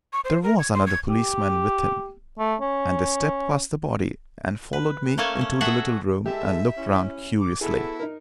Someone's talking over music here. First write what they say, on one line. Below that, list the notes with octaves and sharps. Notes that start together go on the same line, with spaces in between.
There was another policeman with him, and they stepped past the body and followed me into the little room and looked round curiously.
C#6
C5
A#4
G#6
C6
G#6
G4
A3
C#4
B4
A3 A#3 C#4 A4 G#5 A5
C#4
F#4 G#4 A4 E5 F#5
G#3 E4 G4 A4 E5
C#4 E4
D6
B3 E4 F#4 G#4 A4
D#4 A#4